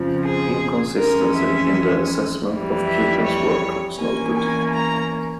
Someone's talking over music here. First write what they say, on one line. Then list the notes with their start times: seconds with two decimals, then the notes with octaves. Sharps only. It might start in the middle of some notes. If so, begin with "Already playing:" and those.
Inconsistency in assessment of pupils work was noted.
Already playing: F2 C#3 F3
0.23 G#4
0.98 F2 E3 G#3 C#4 A#4
1.36 E5
2.48 F2 E3 G3
2.86 E5
3.23 C#5
3.98 E2 E3 A#3 C#4 G#5
4.36 G#5
4.73 A#5